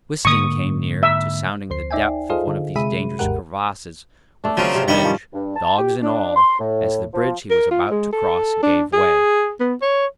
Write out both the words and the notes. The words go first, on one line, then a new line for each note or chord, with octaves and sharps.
Wisting came near to sounding the depth of one of these dangerous crevasses with sledge, dogs and all, as the bridge he was about to cross gave way.
G#2 D3 A#3 C#6 D#6
E5
D2 C5 C7
D#4 D5 E5 G5 G#5
F4 G#4 A4 C5 D#5 F5
D3
C3 G#3 G#4 E5 B5 D#7
G1 D#2 G#2 G4 A#4 F#5
A3 D4
C#3 F3 F#3 C4 A#4
C3
G2 D#3 G3 C#6
F3 C#4
G2
A5
G4
D4
C6
A2
F3
A#4
F4
G#3
A4
D4
G#4
B3
C#5